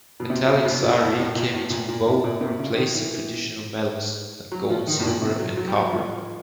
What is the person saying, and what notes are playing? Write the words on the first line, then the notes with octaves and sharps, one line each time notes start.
Metallic zari came into vogue replacing traditional metals like gold, silver and copper.
B2
C3
B2
B2
A#2
A2
A2
A#2
A2
A#2
A#2
A2
A#2
C3
C#3
D#3
E3
F#3
F3
D#3
A2
A#2
C3
F#3
F#3
G3
F#3
F3